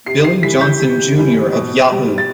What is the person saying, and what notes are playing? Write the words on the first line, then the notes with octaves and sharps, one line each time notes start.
Billy Johnson Junior of Yahoo!
C3 C7
C7
E3 G3 B6
G6
C3
E3 G3
B2
G3
A6